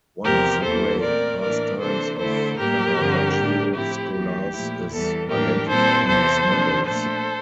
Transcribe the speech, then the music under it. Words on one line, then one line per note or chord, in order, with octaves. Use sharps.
One of the great pastimes of Caravaggio scholars is identifying his models.
E2 C3 F3 G4 A#4
E2 E3 A#3 E4 A4 C5
A#2 A3 C4 A#4 D5
A2 E3 A#3 D4 A#4 D5
C3 E3 A#3 D4 A4 C5
D3 A3 E4 A4 C5
A2 G3 A#3 G4 A#4
G2 D3 F3 C4
A2 G3 D4
A2 F3 A3 C4 E4 G4
E2 E3 A#3 G4
A#2 F3 A3 E4
E2 E3 G3 A4
A2 E3 G3 A#3 D4 G4 A#4
A#2 G3 C4 E4 A4 C5
E2 C3 E3 A4 C5
C3 F3 A#3 D4
A#2 A3 D4 A4 C5